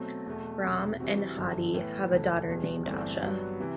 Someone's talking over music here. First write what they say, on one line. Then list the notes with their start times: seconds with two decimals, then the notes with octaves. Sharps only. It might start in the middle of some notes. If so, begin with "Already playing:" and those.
Rahman and Hadi have a daughter named Asha.
Already playing: B2 F#3 A3 C4
0.26 E2 B2 A3
0.63 E1 E2 C3
1.00 C3 E3 G3 C4 F#4
1.37 G1 F#2 D3 F#3
1.74 A2 E3 B3
2.11 E1 D2 D3
2.48 E2 B2 G3
2.85 G1 G2 E3 A3 C4
3.22 G2 F#3 B3 F#4
3.60 C3 E3